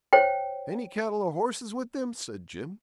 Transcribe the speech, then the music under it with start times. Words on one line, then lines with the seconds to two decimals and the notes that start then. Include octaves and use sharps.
'Any cattle or horses with them?' said Jim.
0.13 C5 C#5 G5